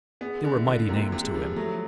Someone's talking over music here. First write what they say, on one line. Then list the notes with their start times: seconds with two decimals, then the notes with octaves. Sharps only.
They were mighty names to him.
0.21 B3 G#4
0.44 D3
0.56 E4
0.67 D3
0.89 C3 A#3
1.12 C3
1.23 G#3
1.34 F3
1.56 F#3 A3